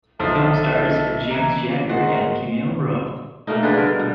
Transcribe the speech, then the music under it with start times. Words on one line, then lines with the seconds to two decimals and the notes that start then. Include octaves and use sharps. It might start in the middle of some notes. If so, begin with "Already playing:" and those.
The film stars James Jagger and Camille Rowe.
0.20 B1 F3 A4 C5 D#5 E5
1.30 E3 A#3
1.89 G#3 F#4 A#4 C5
3.47 B2 A3 A#3 D#4
3.63 D3 D4 G#4 B4
3.77 G2 D3 A#4
3.99 B2